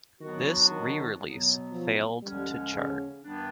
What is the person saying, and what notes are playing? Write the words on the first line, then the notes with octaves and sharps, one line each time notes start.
This re-release failed to chart.
D#3 F#3 B3 D4 F#4
D#3
B2 F#3 B3
F3
D#2 D3 F3 G3 G#3 C#4
C#3
G2 D#3 G3 B3 D4